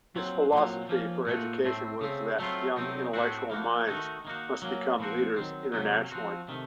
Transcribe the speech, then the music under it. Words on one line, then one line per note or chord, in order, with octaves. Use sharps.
His philosophy for education was that young intellectual minds must become leaders internationally.
A#2 F#3 C4
A#2 F#3 C4
F3 A#3 C#4
A#2 A3 D#4 F#4
A2 A3 C4
C#3 A3 C4
F#3 A3 C4 F4
C3 F#3 A3 C4 D#4
A2 A3 C4 F#4
F3 A#3 D#4 F#4
D#3 A3 D#4 F#4
D#3 A#3 D#4 F#4
F#3 A#3 C#4
A#2 F3 C4 F#4
D#3 F#3 C4
C3 F#3 A#3 C#4
F3 C4 F#4
C3 D#3 A3